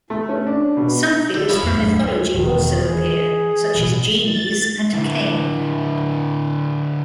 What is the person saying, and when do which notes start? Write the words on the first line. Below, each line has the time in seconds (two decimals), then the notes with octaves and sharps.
Some figures from mythology also appear, such as genies and Cain.
0.10 A3
0.29 C#4
0.47 D4
0.77 B2
1.34 D3
1.49 F3 C#4 E4
1.63 F2
1.75 D1 F#3 D4
2.34 E1 E2 D#3
2.84 E3 G#4
3.75 A1 B2 E3
4.23 A6
4.94 D3 E4